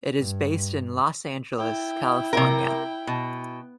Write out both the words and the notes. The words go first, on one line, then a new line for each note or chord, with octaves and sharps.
It is based in Los Angeles, California.
G2
E4 G5
C3 A#4
B2